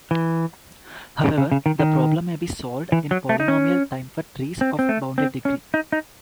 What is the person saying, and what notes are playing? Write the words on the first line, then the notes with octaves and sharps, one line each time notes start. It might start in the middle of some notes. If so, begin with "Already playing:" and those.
However, the problem may be solved in polynomial time for trees of bounded degree.
E3
C#3
C#3
C#3
D#3
D#3
E3
F#3
A3
D#4
C#4
C4
C4
A3
C4
C#4
D#4
D#4